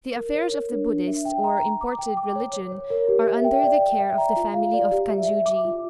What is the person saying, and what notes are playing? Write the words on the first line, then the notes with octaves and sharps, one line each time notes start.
The affairs of the Buddhist or imported religion are under the care of the family of Kanjuji.
A#4
C#5
A#4
D4
D4
E5
G5
A#5
A#5
D6
G5
D6
C#5
C#5
C#5
A#4
G4
E5
G5
D5
G5
E5
A#5
F4
F5
D5
G4
E5
E5
D6
F4